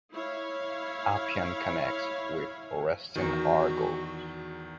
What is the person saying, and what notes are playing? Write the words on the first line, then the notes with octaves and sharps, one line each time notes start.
Appian connects it with Orestian Argos.
E4 C#5 F5
E2 D#3 F#4